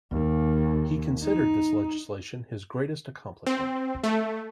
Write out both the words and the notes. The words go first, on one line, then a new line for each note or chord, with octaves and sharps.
He considered this legislation his greatest accomplishment.
D#2
D#4
C4
A3